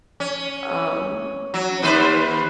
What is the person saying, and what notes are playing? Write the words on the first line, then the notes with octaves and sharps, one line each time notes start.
um, yeah.
C#4
F#3
D#2 B4 C5